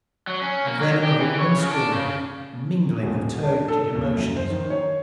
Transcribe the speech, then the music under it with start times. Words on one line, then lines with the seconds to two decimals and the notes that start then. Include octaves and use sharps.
The venom of a woman scorned--a mingling of turgid emotions....
0.27 F#3
0.42 C#4
0.67 A#3
0.80 F#3
1.03 G4
1.20 E3
1.39 C#5
1.58 C#3
1.70 D4
1.92 C#3
3.03 D#1
3.42 D4
3.68 A4
3.95 D#2
4.17 F#2
4.36 C5
4.50 D#3
4.70 C#5